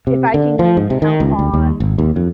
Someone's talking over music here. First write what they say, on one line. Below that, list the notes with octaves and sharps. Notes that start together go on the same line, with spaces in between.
if I can count on
C3
D3
F3
G#2
C3
D#3
C#2
D2
D#2
G#1
D#2
F2